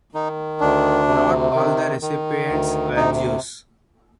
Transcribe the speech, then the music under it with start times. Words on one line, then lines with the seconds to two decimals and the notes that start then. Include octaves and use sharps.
Not all the recipients were Jews.
0.14 D#3 D#4
0.60 D2 D4
1.08 C3
1.55 D#3
2.02 D#3
2.50 D2
2.96 C3 D#4